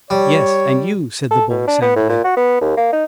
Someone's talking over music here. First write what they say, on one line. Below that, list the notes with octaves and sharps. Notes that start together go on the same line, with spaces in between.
"Yes; and you," said the boy sadly.
G3 C#5
A4
B2
D4
B3
A2
A#2
F#4
B3
D#2
A#3
D#4